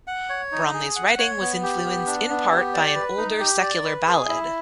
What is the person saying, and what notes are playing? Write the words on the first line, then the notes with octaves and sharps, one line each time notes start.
Brumley's writing was influenced in part by an older secular ballad.
F#5
C#5
D#4
G#4
F#5
C#5
B3
G4
B3
D4
B3
G4
D5
B4
D#4
G4
D5
B4
G#4
E4